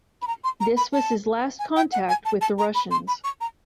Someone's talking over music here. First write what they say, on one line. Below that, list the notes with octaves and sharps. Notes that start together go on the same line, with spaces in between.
This was his last contact with the Russians.
B5
A#5
C6
A#5
B5
A5
G#5
G5
F#5
G#5
A5
A5
A#5
B5
C6
B5
C#6
A#5